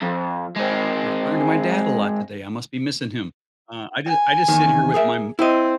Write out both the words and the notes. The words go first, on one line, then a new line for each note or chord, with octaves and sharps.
I'm referring to my dad a lot today, I must be missing him. Uh, I j I just sit here with my m
F2
G#3 C4
G#5
E2 D#3
G#4 A#4 E5
C4 E4 D#5